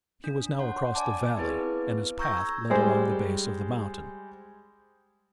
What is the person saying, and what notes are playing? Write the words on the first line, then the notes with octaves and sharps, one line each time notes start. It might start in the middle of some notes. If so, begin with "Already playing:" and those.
He was now across the valley and his path led along the base of the mountain.
D4
C#5 F#5 C6
D5 G#5 A5 D6
B3 C4 E4 G#4 B4
A#5 C#6 E6 G6 G#6 A#6
G3 G#3 C5